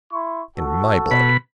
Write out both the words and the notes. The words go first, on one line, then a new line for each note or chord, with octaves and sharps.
In my blood!
E4 C6 C#6
F#4 A4
B2 B5